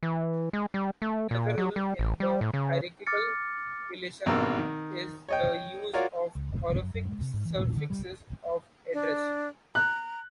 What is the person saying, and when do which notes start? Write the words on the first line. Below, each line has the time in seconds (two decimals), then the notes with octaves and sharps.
Another rule in the hierarchical relation is the use of honorific suffixes of address.
0.03 E3
0.53 G#3
0.74 G3
1.02 A3
1.31 A#2
1.58 F#3
1.76 G3
1.99 A1
2.20 G3
2.41 A2
2.54 C#3
3.07 D6 F6 A6 C#7
4.26 G#1 G2 B2 A#3 A#4 E6
4.58 D#3
5.29 C#5 D#5 G5
5.93 F4 F#4 A#4 C#5 D5 F5
6.35 C#2
6.49 F#1
6.68 F#1
6.82 F#2
6.94 F#2
7.08 G#3
7.21 C3
7.34 G#2
7.45 E3
7.61 A#2
7.77 D3
7.90 G3
8.93 D4
9.75 A#5 F#6